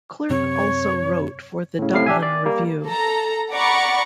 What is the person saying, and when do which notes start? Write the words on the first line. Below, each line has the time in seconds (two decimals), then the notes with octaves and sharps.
Clerke also wrote for the "Dublin Review".
0.30 F#2 C3 C4 C#5
1.79 A2 C#3
1.94 A2 C3 F5 C7
2.06 D4 G4 E5 G#5
2.22 D5
2.45 G3 A#3
2.85 A4 A#5
3.52 D5 F#5 A#5 B5 C#6 D6